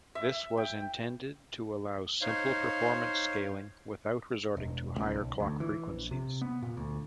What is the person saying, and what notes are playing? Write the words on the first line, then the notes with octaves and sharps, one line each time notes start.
This was intended to allow simple performance scaling without resorting to higher clock frequencies.
E5
G5
D#4 C5 C#5 F5 C6
E1
C#2
B1
D2
E3
A#1
C3
B3
A#2
D2